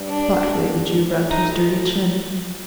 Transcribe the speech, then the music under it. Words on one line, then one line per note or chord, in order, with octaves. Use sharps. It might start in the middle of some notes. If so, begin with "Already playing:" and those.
Thoughtfully the Jew rubbed his dirty chin.
Already playing: G2
D4
G2
G#2
A2
D#4